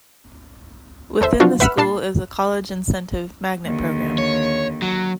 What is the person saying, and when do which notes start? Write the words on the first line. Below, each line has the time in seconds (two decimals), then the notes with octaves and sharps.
Within the school is a College Incentive Magnet Program.
1.21 E2 A4 C5 E5
1.40 B2 F3 F#3 D4 F4 F#4
1.60 B4 E5 F#5 B5 E6 F6
1.77 A#2 D4 A5 C7
3.65 D#2 D3
4.18 C#5
4.82 F#3